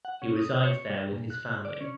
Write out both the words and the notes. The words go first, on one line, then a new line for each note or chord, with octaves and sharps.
He resides there with his family.
F#5
C#4
D#6
C#5
G3
A#2
F#6
D5
C#4